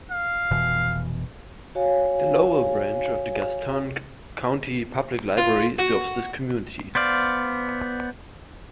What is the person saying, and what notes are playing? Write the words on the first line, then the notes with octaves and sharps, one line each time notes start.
The Lowell Branch of the Gaston County Public Library serves this community.
F5
F1 B2 E3
F#4 C#5 F5 G#5
F4
F#4
B3 C5 D5 F5